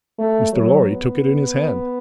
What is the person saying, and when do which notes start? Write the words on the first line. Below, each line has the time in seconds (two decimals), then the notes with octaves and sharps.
Mr. Lorry took it in his hand.
0.19 A3
0.53 F#3
0.86 B3